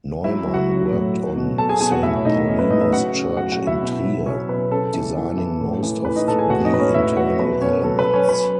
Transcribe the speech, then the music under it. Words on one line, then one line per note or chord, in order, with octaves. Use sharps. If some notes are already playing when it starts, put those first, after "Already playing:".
Neumann worked on Saint Paulinus' Church in Trier, designing most of the internal elements.
F#3 E4 E5
F#3
F#4 F#5
F#3
A2
F#3
B2
B2 A4 A5
G#4 G#5
B2 G#4 G#5
F#4 F#5
A2 E4 E5
C#5
A2 D#4 D#5
F#3 C#4 C#5
B4
A2 D#4 D#5
E4 E5
C#3 F#4 F#5
C#3
F#3 F#4 F#5
F#4 F#5
C#3
E4 E5
B2
F#3
F#3 C#4 C#5
B2 B4
C#3 A4
E3
E3
E3
A2
E3
E3 B4
D#4 D#5
A2 A4 A5
G#4 G#5
A2 F#4 F#5
D#4 D#5
A2 B4
C#4 C#5
A2 E4 E5
F#3 F#4 F#5
B2 B4
B2 C#4 C#5
F#3 A4
B4
F#3
C#4 C#5
F#3 B4